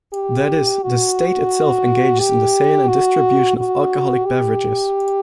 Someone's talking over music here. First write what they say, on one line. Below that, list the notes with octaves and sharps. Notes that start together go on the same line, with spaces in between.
That is, the state itself engages in the sale and distribution of alcoholic beverages.
G4
F#4
G4
F#4
F#4
G4